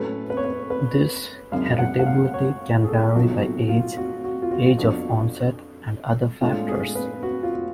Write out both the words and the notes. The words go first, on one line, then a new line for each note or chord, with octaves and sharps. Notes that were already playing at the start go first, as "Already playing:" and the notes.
This heritability can vary by age, age of onset, and other factors.
Already playing: A2 F#3 A3 C#4 B4
B4
C#5
B4
B4
G#1 F#2 C#3 F5
F#5
F#5
F5
C#5
G#4
A4
B1 A2 F3 F#4
F#4
F4
F#4
F#4
F4
F#4
F2 F3 B3 D4 F#4
A2 G#3 D4 F4
G#4
B4
F#4
F4
F4